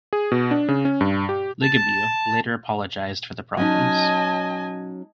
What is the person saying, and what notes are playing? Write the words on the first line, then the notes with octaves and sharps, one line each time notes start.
Ligabue later apologised for the problems.
G#4
B2
D4
C#3
C#4
G2
G4
A5
F#3 C#4 D#4 D#5 G#5 A5